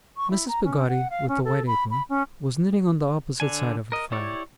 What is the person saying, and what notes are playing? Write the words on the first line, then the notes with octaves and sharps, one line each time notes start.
Mrs. Peggotty with the white apron, was knitting on the opposite side of the fire.
C#6
E4
A#5
C#4
F#5
F5
C#4
A4
B5
B5
C#4
D3 D4 G#5
A#4 D#5
E4 G4 C#5 D5